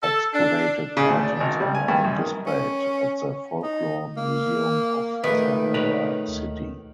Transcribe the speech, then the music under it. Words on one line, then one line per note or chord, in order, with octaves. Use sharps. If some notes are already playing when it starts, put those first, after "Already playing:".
Excavated items are now displayed at the Folklore Museum of Tahara City.
A4
D4
C#3
D2
D5
G#1
G3
G#5
G2
F#2
D#3
C#4
D#4
A#3
A#1 D#3 G#3 A3 B4
B2 A#4 B4 C#5
D2